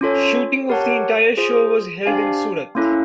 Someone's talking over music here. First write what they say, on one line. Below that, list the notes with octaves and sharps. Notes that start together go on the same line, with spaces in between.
Shooting of the entire show was held in Surat.
C#4 F4 A4 C#5
G4 A#4 C#5 F#5 A5
F4 G#4 C5
D4 G4 C5 F5 G#5
A#3 C#4 E4 A4